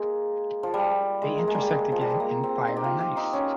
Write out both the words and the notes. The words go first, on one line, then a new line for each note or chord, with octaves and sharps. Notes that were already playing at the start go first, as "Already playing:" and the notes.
They intersect again in "Fire and Ice".
Already playing: G#3 A#3
F3
G3
G#3
A#3
G#3
G3
G#3
F3
G3
G#3
A#3
C4
D#4
G4
F4
G4
D#4
C#4